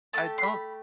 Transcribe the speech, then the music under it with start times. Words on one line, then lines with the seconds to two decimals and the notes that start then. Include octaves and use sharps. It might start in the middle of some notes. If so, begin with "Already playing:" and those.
I don't
0.13 A3 E4 G4 A5
0.38 C6
0.43 B5